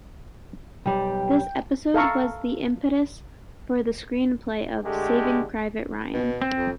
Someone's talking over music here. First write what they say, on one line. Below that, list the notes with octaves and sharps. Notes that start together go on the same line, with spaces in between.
This episode was the impetus for the screenplay of "Saving Private Ryan".
B1 G3 G5
A4 F5 A#5 C#6
D3 G#3 A3 G4
B2
C4
F2